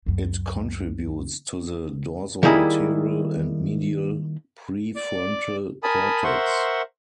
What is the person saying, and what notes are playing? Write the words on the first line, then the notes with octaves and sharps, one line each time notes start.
It contributes to the dorsolateral and medial prefrontal cortex.
C#2 F#2
D#3 G3 A#3 E4 G#4 D#5
D5 D6
A#4 G#5 A5 B5 D#6
A#4 C5 E5 F#5 C6 C#6